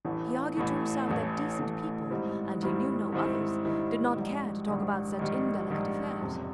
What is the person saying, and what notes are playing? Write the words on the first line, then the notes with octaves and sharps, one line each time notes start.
He argued to himself that decent people--and he knew no others--did not care to talk about such indelicate affairs.
A1 A2 E3 A3
A1 A2 E3 A3
A1 A2 E3 A3
A1 A2 E3 A3
G#2 D#3 G3 C4 E4
G#2 D#3 G3 C4 E4
G#2 D#3 G3 C4 E4
G#2 D#3 G3 C4 E4
A#1 G#2 D#3 G3
A#1 G#2 D#3 G3
A#1 G#2 D#3 G3
A#1 G#2 D#3 G3
F#1 F2 C3